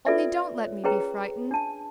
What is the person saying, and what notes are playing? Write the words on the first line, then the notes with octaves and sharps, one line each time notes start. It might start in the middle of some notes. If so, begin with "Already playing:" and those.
"Only don't let me be frightened."
C#4 F4 A4 B4 D5 E5
C#5
C#4 G#4 B4 C#5 G5 A#5
D4 A5